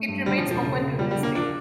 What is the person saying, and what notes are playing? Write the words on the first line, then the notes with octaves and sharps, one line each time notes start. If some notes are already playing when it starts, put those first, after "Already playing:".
It remains open to this day.
Already playing: A3
G2
D3 G3
F3
E1
F3
C#3
C#3
F3 G3
G3
D3
A#3
F3 D4